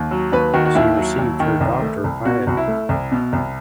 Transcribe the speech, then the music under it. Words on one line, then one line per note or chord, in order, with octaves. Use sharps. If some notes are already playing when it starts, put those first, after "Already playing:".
She received her Doctor paed.
Already playing: D#2
F#3
D#2 B4
D#3 F#4
F#4
D#2 E4
F#3
D#2
D#3
C2
A3
C2
B2 F#4
C2 F#4
E4
A3
C2
B2
C2